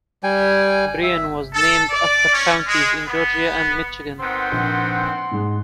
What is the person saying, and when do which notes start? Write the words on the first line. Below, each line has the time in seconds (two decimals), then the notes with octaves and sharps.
"Berrien" was named after counties in Georgia and Michigan.
0.23 G3 G5 G#5
1.03 E5
1.53 A4
1.90 D5
2.32 C#4
2.66 G#3
3.06 B3
4.20 D#3 B3 C4 F#5 C6
4.52 A#1
5.31 G#2 G#3